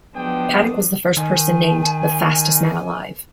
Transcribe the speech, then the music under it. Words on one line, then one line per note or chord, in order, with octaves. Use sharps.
Paddock was the first person named "The fastest man alive".
F3 F#3 G#3 B3 D4 G5 D#6
D#3 G#5